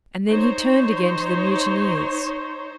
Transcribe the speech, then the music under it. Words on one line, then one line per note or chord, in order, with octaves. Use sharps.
And then he turned again to the mutineers.
D#4 C5 C#5